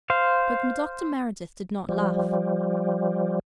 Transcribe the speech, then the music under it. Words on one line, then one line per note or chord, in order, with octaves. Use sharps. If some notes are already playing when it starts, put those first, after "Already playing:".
But Dr. Meredith did not laugh.
C5 F5
F3 G3